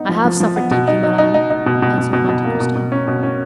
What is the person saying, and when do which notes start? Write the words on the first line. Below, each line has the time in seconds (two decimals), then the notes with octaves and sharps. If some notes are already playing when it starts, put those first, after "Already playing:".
"I have suffered deeply, madame," answered Monte Cristo.
Already playing: B3 D#4
0.09 F3
0.25 F3
0.40 F3
0.56 B3
0.71 B2
0.88 D#4
1.03 D#4
1.18 D#4
1.34 D#4
1.50 D#4
1.66 B2
1.82 B2
1.98 B2
2.13 B2
2.29 B2
2.45 A#3
2.60 B2
2.76 B2
2.92 C#4
3.07 B2
3.23 C#4